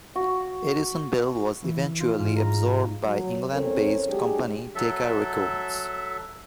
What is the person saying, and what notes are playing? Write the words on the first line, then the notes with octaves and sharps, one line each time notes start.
Edison-Bell was eventually absorbed by England-based company Decca Records.
F#4
E3
F4
G#2
A#5
F#3
E2 C4 C#4 A4 A#4 C#5
F#3 G#3 D4 G4 G#4
F#3 A4 E5